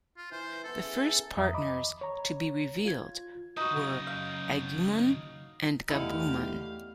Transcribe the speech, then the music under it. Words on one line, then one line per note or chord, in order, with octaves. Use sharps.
The first partners to be revealed were Agumon and Gabumon.
F4
E3 C5
B3 E4 A4 A#5
C#4 G#4
F2 E5 A#5 D#6
D#5 B5 D6
C#5 A#5
F4 G#6
D#4 F#4 B4 C5
C#3 F#3
F5
E2 D3 A3 D#4 E4 G4 F5